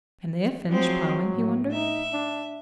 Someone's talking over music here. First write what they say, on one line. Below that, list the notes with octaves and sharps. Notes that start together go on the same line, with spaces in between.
"Can they have finished ploughing?" he wondered.
F3 F#3 G#3 C4
A2
D#4 E5
D4